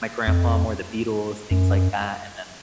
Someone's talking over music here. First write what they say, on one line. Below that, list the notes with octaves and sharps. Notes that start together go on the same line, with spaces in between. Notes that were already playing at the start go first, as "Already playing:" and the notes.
my grandpa, more the Beatles things like that, and then
F2
F#2